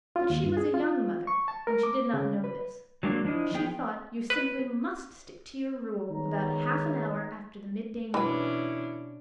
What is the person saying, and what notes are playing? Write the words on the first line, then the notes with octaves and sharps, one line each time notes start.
But she was a young mother and she did not know this; she thought you simply must stick to your rule about half an hour after the mid-day meal.
F4
D#2
G2
G#4
F4
C#6
A5
A#4
D6
C#3
B4
F#3 G#3 A#3 D4
F3 D4 E4 D#5
F3 B3 G#4 G5
B4
D#3 G#3 B3 C#5 A#5
B2 E3 C#4 D4 E4 B4